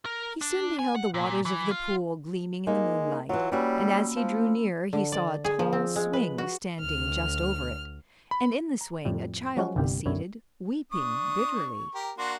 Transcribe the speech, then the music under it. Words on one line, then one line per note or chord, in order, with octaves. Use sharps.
He soon beheld the waters of the pool gleaming in the moonlight, and as he drew near he saw a tall swing standing just over it, and in the swing a child was seated, weeping bitterly.
A#4
D4
G#5
F#5
A#2
E3
F4
G#3 A#3 D#4 F5
E3 F#3 F4
G3 A#3 C#4 F#4 B5 E6
F3
D3
D5
G#4
F3
C4
G#3
B4
F#4
D2 F6
B5
A#5
F2 A2 G3
F3 F#3 G#3 C#4 F#4
G1 C2 G2 G4
B1 F#2 D3 E4 C#5
D4 C#6 D#6
G4 A#4
A#3 D4 F#4 C6